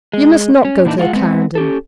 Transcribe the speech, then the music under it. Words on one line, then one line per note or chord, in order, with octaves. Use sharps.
'You must not go to the Clarendon.
G#3
C#4
A#2 E3 F#3 D4 D#4
G#3 F4 C#5 F#5
G#3 B3 C4
C#4 G4 A4